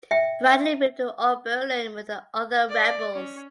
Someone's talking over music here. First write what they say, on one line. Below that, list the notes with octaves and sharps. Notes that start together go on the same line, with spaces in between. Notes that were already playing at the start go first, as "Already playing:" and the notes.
Bradley moved to Oberlin with the other Rebels.
E5 G5
D5
C#4